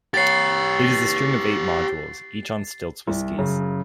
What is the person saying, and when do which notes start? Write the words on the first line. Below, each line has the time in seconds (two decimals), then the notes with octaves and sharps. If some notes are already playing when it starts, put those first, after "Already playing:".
It is a string of eight modules, each on stilts with skis.
0.14 G4 C#5 A6 C7
3.07 C2
3.38 F#2 C#3